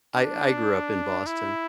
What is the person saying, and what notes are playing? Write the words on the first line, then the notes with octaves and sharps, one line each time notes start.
I I grew up in Boston.
D4
E4